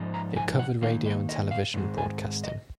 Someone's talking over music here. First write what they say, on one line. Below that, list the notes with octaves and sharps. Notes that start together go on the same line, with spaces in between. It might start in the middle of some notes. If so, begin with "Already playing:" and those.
It covered radio and television broadcasting.
Already playing: G#2 F3 D#4
A#5
G#5
F#5
D#3 A#3 D#4 F5
D#5
D#5
F5
G#2 D#3 G#3
G#5
D#5